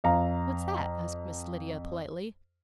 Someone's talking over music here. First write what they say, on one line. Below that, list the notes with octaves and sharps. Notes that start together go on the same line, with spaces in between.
"What's that?" asked Miss Lydia politely.
F2 F5 A#5